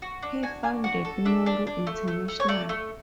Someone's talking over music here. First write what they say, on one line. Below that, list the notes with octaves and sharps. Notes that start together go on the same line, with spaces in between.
He founded Nuru International.
F#4
D4
F#4 G#5
D4 G#5
F#4 F#5
A4
D4 E5
D4
D4
A3
A3
A3
C#5
A3 D5
A3